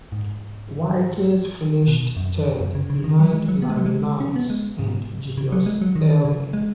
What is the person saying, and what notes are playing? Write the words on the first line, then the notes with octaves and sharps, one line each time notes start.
Wilkins finished third, behind Larry Nance and Julius Erving.
G#2
B2
F#2
F#2
C#3
C#3
D#3
F#3
G#3
F#3
B3
G#3
F#3
G#3
C#4
B3
G#3
G#2
C#3
F#3
G#3
F#3
D#3
C#3
G#3